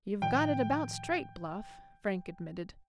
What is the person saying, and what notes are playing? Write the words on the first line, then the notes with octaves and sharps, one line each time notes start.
"You've got it about straight, Bluff," Frank admitted.
A2 D#3 F3 G5